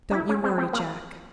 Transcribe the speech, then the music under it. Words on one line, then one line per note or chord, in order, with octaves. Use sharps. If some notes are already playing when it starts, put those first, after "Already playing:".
"Don't you worry, Jack."
C#4
E4
C#4
C4
C4
A#3